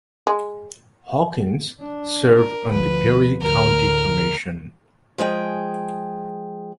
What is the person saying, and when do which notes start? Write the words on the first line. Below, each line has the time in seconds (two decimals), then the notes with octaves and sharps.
Hawkins served on the Perry County Commission.
0.27 G#3
1.81 D4
2.37 A#4
2.71 D2 F3 B4
3.41 D2 A2 A#4 F6
5.18 F3 G#3 G#4 G5